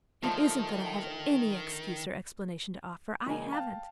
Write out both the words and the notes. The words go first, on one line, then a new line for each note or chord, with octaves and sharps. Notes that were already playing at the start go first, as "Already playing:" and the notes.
It isn't that I have any excuse or explanation to offer; I haven't.
D3 D#3 F3 A3
E1 C#3 A#3 D#5 G#5
F5 G5 A5